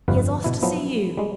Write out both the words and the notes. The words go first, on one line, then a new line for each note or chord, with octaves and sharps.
He has asked to see you.
G1 F2 G3 B4 F5
B2 E4
F3 F#3 B3 E4
G3 G#3